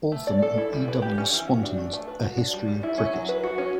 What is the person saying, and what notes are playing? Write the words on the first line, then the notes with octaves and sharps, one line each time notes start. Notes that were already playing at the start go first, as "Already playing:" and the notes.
Altham and E. W. Swanton's "A History of Cricket".
A3
D5
A4
E4
G3
B4
G4
C#4
E3
F#4
D4
A3
A3
B4
F#4
D4
G3
G3
E4
C#4
F#3
B4
F#4
C#4